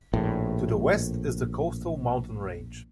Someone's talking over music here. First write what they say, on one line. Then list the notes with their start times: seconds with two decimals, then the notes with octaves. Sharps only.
To the west is the Coastal Mountain Range.
0.13 A#1 A2